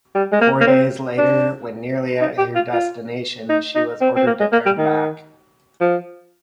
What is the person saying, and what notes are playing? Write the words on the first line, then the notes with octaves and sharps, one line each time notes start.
Four days later, when nearly at her destination, she was ordered to turn back.
G3
G#3
A#3
A#3
C4
D4
D#4
G4
F4
F4
D#4
D#4
C4
C4
A#3
G#3
A#3
G3
D#3
F3